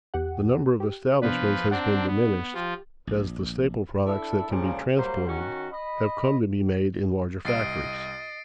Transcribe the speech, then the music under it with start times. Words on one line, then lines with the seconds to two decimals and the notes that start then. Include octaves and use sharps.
The number of establishments has been diminished as the staple products that can be transported have come to be made in larger factories.
0.14 E2 G4 F#5
0.80 G4
1.22 C3 F3 B3 D4 B4
1.71 C4 D4 F#5 A5 A#5
2.07 B3 D4
2.54 F3 F4 G4
3.07 A#1
4.05 D4 E4 A4
4.49 A#2 C#3 F3 G3 G#3
4.96 F#3 G3 A#3 C5
5.27 D#3 C#4 F#4
5.71 D#5 B5
7.45 C2 D#5 A6 C7 D7